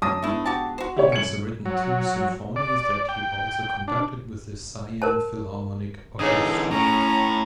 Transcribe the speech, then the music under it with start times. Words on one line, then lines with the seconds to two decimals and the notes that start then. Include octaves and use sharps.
He has written two symphonies that he also conducted with the Siam Philharmonic Orchestra.
0.02 F#2 D4 A5 D#6 A#6
0.22 G#2 A3 B3 D4 E4
0.46 F#4 G4 A5
0.78 F#4 C5
0.96 G4 C#5 E5
1.12 F#2 G#6 C#7 D7 F#7
1.66 F#3
2.56 D5
3.09 G5
3.88 D4
5.02 A#4 C5 A5
6.19 D3 E3 D#4 G#4 C#5 D#6
6.71 A2 C#4 A#5